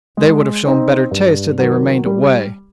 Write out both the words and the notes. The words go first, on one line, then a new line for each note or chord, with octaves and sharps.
"They would have shown better taste had they remained away."
G#3
C4 D#4
G2
D#3 F#3
G3